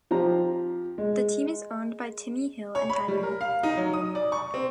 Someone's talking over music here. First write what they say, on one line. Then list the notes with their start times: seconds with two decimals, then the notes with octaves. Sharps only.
The team is owned by Timmy Hill and Tyler Hill.
0.11 F3 C4 G4 A#5
0.98 G#3
2.75 C#5
2.90 B5
3.08 G3
3.23 A#4
3.41 F5
3.63 D#4
3.77 F#3
3.93 D#6
4.15 D5
4.32 C#6
4.54 C4